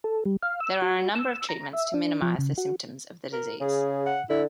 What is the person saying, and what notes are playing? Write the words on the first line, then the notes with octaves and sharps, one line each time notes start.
There are a number of treatments to minimize the symptoms of the disease.
A4
G3
F5
E6
F#4
E6
A#5
E5
D4
F3
C#3
F#4
A#4
C#3 G#4
F#5
D3 E4